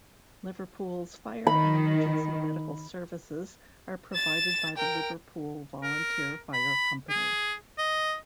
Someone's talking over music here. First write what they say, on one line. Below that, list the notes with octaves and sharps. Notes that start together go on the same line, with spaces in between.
Liverpool's fire and emergency medical services are provided by the Liverpool Volunteer Fire Company.
D#3 B5
A6 E7
A#4 G5
A#4
B5
G#4
D#5